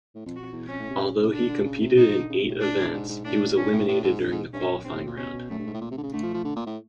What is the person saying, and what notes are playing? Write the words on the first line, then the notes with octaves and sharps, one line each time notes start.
Although he competed in eight events, he was eliminated during the qualifying round.
A2
F2
F#4
F2
E2
F2 C#4
A2
C3
C#3
C#3
D3 D4
D#3
D3
C#3
C3
C#3 D#4
F3
D3
C#3
C3
A2
D4
A2
G#2
G#2
A2 D4
G2 C#4
A2
A2 D4
G#2
G2 D#4
G#2
G2 C#4
F#2
G2 C4
A2
A#2
B2 C#4
F#2 A3
G2
G#2
A2
A#2
C3
D3
C#3
D3 A3
F3
F3
D3
A#2
A2